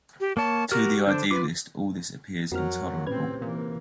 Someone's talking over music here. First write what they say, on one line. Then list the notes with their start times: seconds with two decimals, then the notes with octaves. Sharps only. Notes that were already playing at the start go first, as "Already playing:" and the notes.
To the idealist all this appears intolerable.
0.20 G4
0.37 A#3 C#5 A5
0.72 F#4 G4 A#4 F6
1.06 D3 D4 C5 G6
1.31 F4 B4 D6
2.52 F2 F#3 F#4 A#4 F6
3.07 A2 C3 C4 C#4 B4 G#6
3.42 A#2 E3 A#3